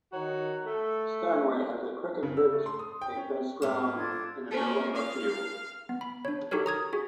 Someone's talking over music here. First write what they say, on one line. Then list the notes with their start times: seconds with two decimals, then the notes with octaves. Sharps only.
Stanway has a cricket pitch, a fenced ground, in the middle of a field.
0.12 D#3 F#4 C#5 A#5
0.65 A3 A4
2.23 C#3
2.37 E6
2.52 A3
2.66 C6
2.79 D#6
3.02 G5
3.17 C#4
3.62 G#2 A#3 B3
3.96 D4 F4 A4 G#6
4.51 A#3 C#4
4.95 F5
5.89 B3
6.01 B5
6.25 D4 C#5
6.51 D#4 F#4 G4 A4 A#4 C#5
6.66 A#5 D#6 G#6
6.93 F#4 G#4